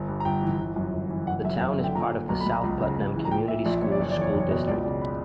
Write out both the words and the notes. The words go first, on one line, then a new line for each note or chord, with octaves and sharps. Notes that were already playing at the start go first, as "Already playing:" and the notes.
The town is part of the South Putnam Community Schools school district.
Already playing: G1
G2
A#5
G1 G5
E3
G1
F#2
G1
E3
F#1 F#5
F#2 E5
F#1 E5
D3
G5
A#2 A#5
A#2
B1 A#5
B5
B1
A#5
C#2
C#3
C#2
E3
A#5
A#2 G5
A#2 E5
A#1 D5
A#1 C#5
D5
F#1 C#5
D5
E2 C#5
F#1 D5
C#5
B2
C#2 D5
C#3 D5
B5